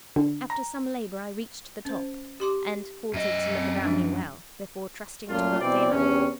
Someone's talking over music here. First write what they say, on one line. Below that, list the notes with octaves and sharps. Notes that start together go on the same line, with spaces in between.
After some labour, I reached the top; and halted to look about me well, before trusting to broad daylight.
D3
A#5
C#4 C5
G4 C6 D6
F#2 D#5
C4
F3 G#3 D4
F#2 A#2 A3 F4
B2 E3 C4 D5
E2 G2 C3 C#4